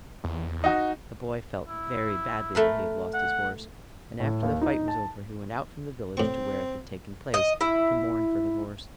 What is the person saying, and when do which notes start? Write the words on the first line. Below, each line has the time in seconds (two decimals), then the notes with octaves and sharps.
The boy felt very badly that he had lost his horse; and, after the fight was over, he went out from the village to where it had taken place, to mourn for his horse.
0.24 E2
0.64 D#4 F#4
1.68 E4
2.55 A3 A#4 B4
3.14 F#5
4.20 A2
4.43 D#2
4.62 D#4
4.88 A5
6.17 A2 C4 C#6
7.34 D#5
7.61 E4